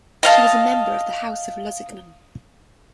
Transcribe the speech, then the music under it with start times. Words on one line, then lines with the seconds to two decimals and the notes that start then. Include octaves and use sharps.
She was a member of the House of Lusignan.
0.23 D#5 F5 A5